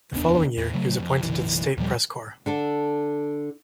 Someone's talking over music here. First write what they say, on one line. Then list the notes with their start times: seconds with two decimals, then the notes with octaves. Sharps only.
The following year, he was appointed to the State Press corps.
0.12 F1 D#2 B3 D4
0.57 E2
0.74 C#3 F#3 A3
0.99 F2
1.23 F#1 B1 E3
1.77 D#2 A#2 F3 G3
2.46 D3 D4 A4